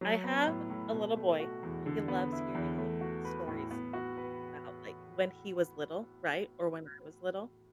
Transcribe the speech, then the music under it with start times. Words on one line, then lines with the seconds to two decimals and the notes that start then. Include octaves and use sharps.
I have a little boy, and he loves hearing stories about, like, when he was little, right, or when I was little.
0.01 F#3
0.24 B3
0.47 A2
0.70 A2
0.93 B2
1.16 A3
1.40 F#4
1.63 E2
1.86 D3
2.08 B3
2.32 E4
2.55 E2
2.78 A3
3.01 F#4
3.25 B4
3.48 A2
3.71 B3
3.93 F#4
4.17 B4